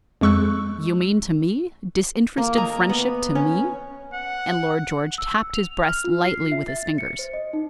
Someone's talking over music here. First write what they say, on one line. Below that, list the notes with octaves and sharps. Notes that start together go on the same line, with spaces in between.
"You mean to me?--disinterested friendship to me?" And Lord George tapped his breast lightly with his fingers.
F2 G#3 C#6 E6 F#6
A#3
D#5 G#5 A#5
B3
C#4
F#5
E6
F7
F6
F4
C7
E5
A6
C#7
C5
D#5
D#4